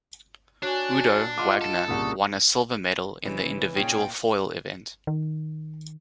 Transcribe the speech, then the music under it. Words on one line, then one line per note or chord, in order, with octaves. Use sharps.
Udo Wagner won a silver medal in the individual foil event.
D4 F#4 C#5 G#5
F4 D#5 F5 F#5 C6 D6
A4
C2 A#2 C#3 C#6 D#6
C#3 E3 G#3
A#2 C#4 D#4 F4 G#4 G5
D#3